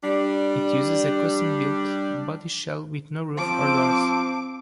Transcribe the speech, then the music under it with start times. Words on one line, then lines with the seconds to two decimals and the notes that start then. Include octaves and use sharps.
It uses a custom built bodyshell with no roof or doors.
0.03 G3 D4
3.38 F3 C4 A5 D6